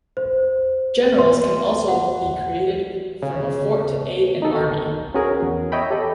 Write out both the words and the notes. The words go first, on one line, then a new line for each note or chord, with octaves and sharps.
Generals can also be created from a fort to aid an army.
C5
C6
F#5
C#3
D#4 A4
C#4 F#4 G#4 A#4
E2
C#5 D#5 E5 G5 B5
G4 A4 D#5